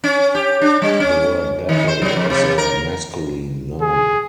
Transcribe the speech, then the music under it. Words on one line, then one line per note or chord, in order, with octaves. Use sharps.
The word battle is a masculine noun.
C#4
G4
D4
G3
C#4
D#3
C5
F#3
F2
C3
A#4
G#4